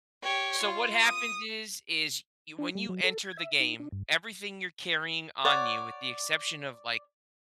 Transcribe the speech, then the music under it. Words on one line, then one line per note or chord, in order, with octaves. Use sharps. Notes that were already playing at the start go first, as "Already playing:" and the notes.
So, what happens is, is you when you enter the game, everything you're carrying on you, with the exception of, like,
G4 C#5
F4
D#6
D4
G3
F#3
A4
G#6
E5
D#4
D4
G2
C#5 D5 F#5